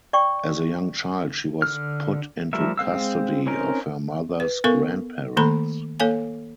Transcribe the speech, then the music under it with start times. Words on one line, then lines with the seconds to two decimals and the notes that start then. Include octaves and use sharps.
As a young child she was put into custody of her mother's grandparents.
0.13 D5 G5 C#6
1.62 D3 F6
2.53 F3 G3 A3 A#4 E5
2.78 G#3 C4 F5 E6
3.47 C4 C#4 D#4 A#4
4.40 B4
4.64 B3 A4 A#4 F5 C#6
5.37 D#3 A3 A#3 A4 A#5 B5
6.00 A#3 A4 C#5 F5 G#5